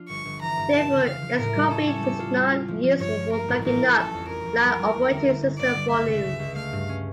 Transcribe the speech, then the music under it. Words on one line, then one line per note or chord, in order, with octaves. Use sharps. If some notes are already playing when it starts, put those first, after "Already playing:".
Therefore, Xcopy is not useful for backing up live operating system volumes.
Already playing: F3 D4 F4
G1 C#6
G1
E3 A#5
G2
F1 A5
C#3
F1 F5
F3
A2 A#4
G3
C#4 A4
C#4
G3
F4
F4
F4
F3
F3
G2 C#5
F3
A#3 A#4
A1
A1 A#4
A1
C#4 A4
F2
C#4 A#4
F2
G3
G3
E2
D3
D3
G1
G1 D5
G1
C#2 E5
C#3
C#3
C#2
A3 F5
G2
C#4